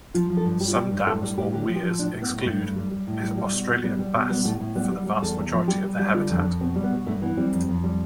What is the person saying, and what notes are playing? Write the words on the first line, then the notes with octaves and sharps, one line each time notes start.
Some dams or weirs exclude Australian bass from the vast majority of their habitat.
F3 F4
F3
A4
G2
G3 G4
F4
G3 G4
G2
A2 A4
G3 A4
A2 G4
D3 G4
F3
G4
F3
A2 D4
A2
B3
A2
G2 A3
G2
G3
G3
A2
G3
G3
B2
B2
G3 B3
G3
B2
G3 B3
A2 A3
A2
G3 B3
G3
G3
E2 A4
E2
F3
G3 G4
G3
G3
D3 F4
F2
D4
F2
B2 C4
G3
B3
B2
G2 A3
E3 B3
G3 C4
F2
F2
G3